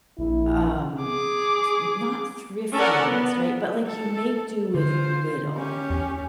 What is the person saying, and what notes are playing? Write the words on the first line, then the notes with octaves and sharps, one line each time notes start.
Um, th not thriftiness, right? But, like, you make do with little.
A#1 E4
G#4 D6
C#4 A4 A#4 D5 F#5
B3
A4
D3 F4 C5
C#4 G4
E2